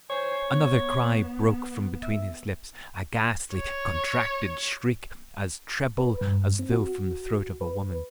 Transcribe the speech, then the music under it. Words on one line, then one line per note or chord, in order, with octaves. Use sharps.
Another cry broke from between his lips, a ghastly contracted shriek as treble as though from the throat of a woman.
C5 C#5 G#5
B3
E5
C#5
B4
G2
C4
F#4
B4